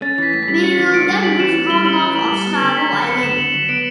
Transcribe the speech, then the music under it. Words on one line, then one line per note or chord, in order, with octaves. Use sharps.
We will then withdraw north of Savo Island.
C#4 A6
E3 B6
A2
B6
G3
C#4 C#7
E3
A2 D7
G3
C#4 F#7
E3 E7
A2 F#7
G3 G7
C#4 F#7
E3
A2 F#7
G3
B3
D3
D2 B6
F#3
B3 C#7
D3 E7
D2 F#7
F#3 E7
B3 D7